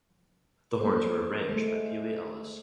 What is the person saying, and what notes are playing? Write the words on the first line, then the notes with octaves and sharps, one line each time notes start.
The horns were arranged by Pee Wee Ellis.
A#3 A4 C5 C#5
G#3 A3 A4